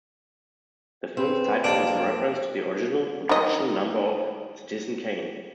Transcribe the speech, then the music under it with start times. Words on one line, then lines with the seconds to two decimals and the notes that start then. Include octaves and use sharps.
The film's title is a reference to the original production number of "Citizen Kane".
1.17 C#3 C4 B4
1.64 B1 F2 A#3 D4 D5
3.29 D#3 D#5